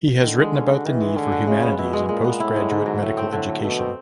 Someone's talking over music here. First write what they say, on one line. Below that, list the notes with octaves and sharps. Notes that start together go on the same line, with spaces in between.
He has written about the need for humanities in postgraduate medical education.
D3 D#3
G#3
C#4
F#4
D#3 E3
G#3
D3 C#4
F#4
C#3 G#3
B3
B2 E4
G#3
A#2 G#3
B3
A2 E4
G#3
G#2 D3
F#3
A2 A3
C4
A2 D3
F#3
B2 A3
C4